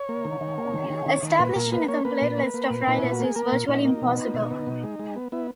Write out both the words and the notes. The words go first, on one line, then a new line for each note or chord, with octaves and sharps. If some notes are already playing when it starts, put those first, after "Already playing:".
Establishing a complete list of riders is virtually impossible.
Already playing: C#5
A#3
D#3
D#3
A#3
D#3
D#3
D#3
D#3
A#2 B4
A#2 A#4
A#3 B4
A#3 C#5
A#3 B4
A#2
A#3
A#3
A#2
A#2 D#4
A#2 E4
F#4
A#3 G#4
A#3 A#4
A#2
A#2 D#4
A#3
B2
B3
B2
B3
B2
G#3
G#3
B3
B3 E4